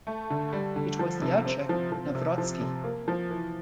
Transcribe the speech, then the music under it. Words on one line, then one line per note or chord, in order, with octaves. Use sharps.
It was Jacek Nawrocki.
A3
D3
G3
D3
F3
C3
C4
F3
F3
C3
F3
C3
A#3
F3
E3